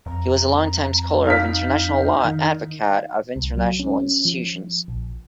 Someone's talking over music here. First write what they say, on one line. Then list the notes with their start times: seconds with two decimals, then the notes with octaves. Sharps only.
He was a longtime scholar of international law and advocate of international institutions.
0.06 F2 A#5
1.26 D#4 F5 F6 B6
2.24 D#3
3.36 C2
3.57 F#3
3.79 C#4
4.25 F3
4.88 A#1